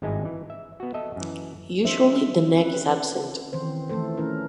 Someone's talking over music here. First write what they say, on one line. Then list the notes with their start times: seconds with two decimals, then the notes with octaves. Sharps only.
Usually the neck is absent.
0.02 G#1 G2 G#3 D#4 E4 G#5
0.25 E3
0.50 E5
0.80 B3 F#4
0.94 A4 D#5 E5
1.16 F#2 E3
1.85 F3 C#4 D#4 C5 E5
2.57 C4 C#4 B4
3.53 D#3 E3 C4 C5
3.89 E3 F3 A3 A4 C5
4.17 E3 A3 C#4 E4 A#4